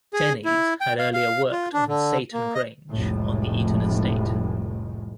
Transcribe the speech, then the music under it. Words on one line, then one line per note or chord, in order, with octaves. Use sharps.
Dennys had earlier worked on Saighton Grange on the Eaton estate.
G#4
E4
G5
F5
F5
F4
D4
D3
A#3
D#5
F1 C2 A2 G#3